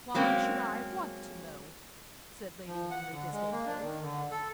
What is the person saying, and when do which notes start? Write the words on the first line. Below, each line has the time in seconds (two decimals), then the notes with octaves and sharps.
"Why should I want to know?" said Lady Henry, disdainfully.
0.14 F#3 G#3 A#3 C4 C#4
2.67 F3
2.91 F#5
3.12 D3
3.32 G#3
3.52 A#3
3.66 D4
3.82 D#3
4.02 D3
4.31 A4